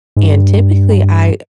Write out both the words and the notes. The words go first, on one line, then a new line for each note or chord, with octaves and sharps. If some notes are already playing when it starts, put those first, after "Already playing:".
and typically I
G#2
G2